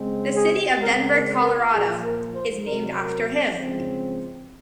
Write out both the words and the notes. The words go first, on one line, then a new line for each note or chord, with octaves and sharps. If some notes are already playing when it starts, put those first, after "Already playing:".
The city of Denver, Colorado, is named after him.
Already playing: C#3 G#3 C4
G#4
C#3 G#3 C4 A#4
A#4
A#4
A#2 F3 A#3 G#4
A#4
C5
C3 F#3 C4 A#4
C#3 F3 G#3 C4